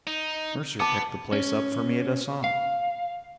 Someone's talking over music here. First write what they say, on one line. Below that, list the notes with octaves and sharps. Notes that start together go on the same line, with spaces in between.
Mercer picked the place up for me at a song.
D#4
B3 A5 D6
C#4
F5